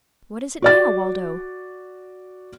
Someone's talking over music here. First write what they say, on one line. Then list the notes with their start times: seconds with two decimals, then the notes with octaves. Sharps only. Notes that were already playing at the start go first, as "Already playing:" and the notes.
"What is it now, Waldo?"
0.62 F#4 D5 A6